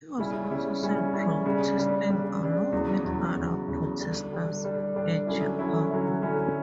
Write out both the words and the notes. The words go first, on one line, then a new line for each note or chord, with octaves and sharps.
He was also seen protesting along with other protesters in Chicago.
C#3 G3 C#4 E4
C#3 G3 C#4 E4
C#3 G3 C#4 E4
C#3 G3 C#4 E4
C#3 G3 D4
C#3 G3 D4
C#3 G3 D4
C#3 G3 D4
E2 C#3 F#3
E2 C#3 F#3
E2 C#3 F#3
E2 C#3 F#3
D3 G3 D4
D3 G3 D4
D3 G3 D4
D3 G3 D4
D3 F#3 C#4 E4
D3 F#3 C#4 E4
D3 F#3 C#4 E4
D3 F#3 C#4 E4